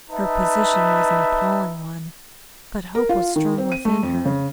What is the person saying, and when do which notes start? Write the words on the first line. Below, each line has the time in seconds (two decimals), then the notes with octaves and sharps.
Her position was an appalling one, but hope was strong within her.
0.10 D#4 B4 E5 A5
2.95 A#4
3.09 F4
3.36 D#3
3.58 C4
3.72 D#7
3.85 A3
4.03 F2
4.25 C#3